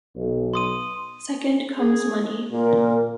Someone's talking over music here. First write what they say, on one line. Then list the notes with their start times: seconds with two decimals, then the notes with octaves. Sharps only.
Second comes money.
0.15 B1
0.54 C6 D#6 D#7
1.79 G#4
2.52 A#2 A#4